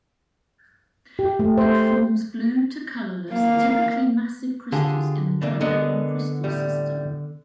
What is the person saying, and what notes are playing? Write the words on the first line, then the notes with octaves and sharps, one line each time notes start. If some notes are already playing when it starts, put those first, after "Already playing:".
It forms blue to colorless, typically massive crystals in the trigonal crystal system.
G4
A3
C5
A#3 F5
D3 F4 G4 G#4
E3 A#3 D4
D3 B3 D4 A#4 D#5
A2 G3